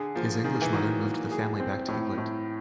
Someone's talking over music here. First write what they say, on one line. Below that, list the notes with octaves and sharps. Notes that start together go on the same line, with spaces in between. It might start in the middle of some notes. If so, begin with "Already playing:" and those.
His English mother moved the family back to England.
Already playing: D3 G#4
F3 A#3
D#3 G#4
E3
D#3 F#3
A#3
G#4
C4
A2
A2